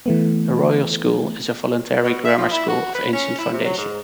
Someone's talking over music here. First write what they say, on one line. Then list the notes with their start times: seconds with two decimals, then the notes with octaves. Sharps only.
The Royal School is a voluntary grammar school of ancient foundation.
0.06 E3 A3 B3
2.02 B2
2.25 E5
2.38 F3
2.51 E4
2.68 F#4
2.94 B4
3.13 C#4
3.38 E4
3.53 C3
3.64 F#3
3.76 G#2